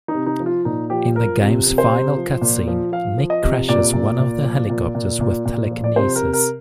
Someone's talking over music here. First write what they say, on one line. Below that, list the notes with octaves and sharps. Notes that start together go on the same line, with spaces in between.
In the game's final cutscene, Nick crashes one of the helicopters with telekinesis.
D#4
C3
D#4
F3
F4
A#2 D#4
F3 G4
F3 A#4
C3
C3
C5
C3
F3
A#2
F3
F3 F5
F3
D#5
C3
A#2 D5
A#2
A#2
F3
A#2
A#2
A#2
A#2
F3
D5
C3 C5
A#4
C3
A#4